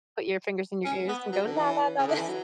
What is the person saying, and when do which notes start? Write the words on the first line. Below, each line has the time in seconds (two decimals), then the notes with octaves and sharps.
put your fingers in your ears, and go, la, la, la, la
0.85 C#4
1.08 B3
1.32 F#3
1.46 D3
1.56 E3
1.98 C#3
2.07 D3
2.18 E3
2.28 F#3